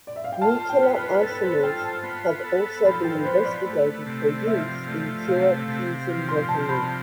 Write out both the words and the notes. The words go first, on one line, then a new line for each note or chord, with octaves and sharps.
Nuclear isomers have also been investigated for use in pure fusion weaponry.
D5
E5
F5
G5
F4 A5
G5
B3
B4
A4 B4
C5
F4 G5
A5
B3
A4
F3 B5
G5
B4
B3 C5
D5
A3
C3
F3 E5
A3
C3 F5
C3
F3
C6
C3 A5
B5